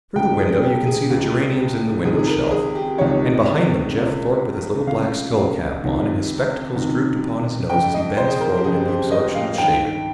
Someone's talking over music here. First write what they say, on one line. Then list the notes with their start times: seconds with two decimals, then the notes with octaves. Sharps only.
Through the window you can see the geraniums in the window shelf and behind them Jeff Thorpe with his little black scull cap on and his spectacles drooped upon his nose as he bends forward in the absorption of shaving.
0.15 C#2 C#3 G5
0.39 G#4
0.63 G4
0.87 G#4
1.10 C#2 C#3
2.04 C#2 C3 D#3 G#4
2.19 G#4
2.27 A#4
2.51 G#4
2.75 G4
2.98 C#2 C3 D#3 C#5
3.93 C#2 C#3
4.87 C#2 C#3 F5
5.82 C#2 C3 D#3
6.75 C#2 C3 D#3
7.70 F2 C#3 G5
7.94 D#5
8.17 C5
8.30 G#4
8.40 A#4
8.57 G4
8.64 F2 C#3 G#4
8.88 G4
9.11 D#5
9.35 F5
9.58 G2 D#3 G5